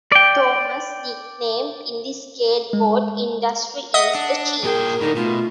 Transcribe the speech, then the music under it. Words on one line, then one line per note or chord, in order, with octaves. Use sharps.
Thomas' nickname in the skateboard industry is The Chief.
D5 G5
G#3
D#5 E5 F#5 D#6
D4
A#2 G#4 A#4 G5
A2 D3 D#4
B2 A3 F4